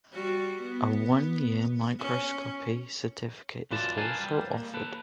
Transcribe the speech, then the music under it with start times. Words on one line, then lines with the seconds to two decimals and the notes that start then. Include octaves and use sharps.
A one-year Microscopy Certificate is also offered.
0.13 G3 F#4
0.61 B3
1.99 C#4
3.71 F#2 F4 B4 D5 A5
3.98 A#4 B4 F5 G#5 A5
4.18 G3
4.53 A#3
4.74 A4 B4